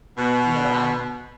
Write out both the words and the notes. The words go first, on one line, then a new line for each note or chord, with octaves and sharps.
you know, I
B2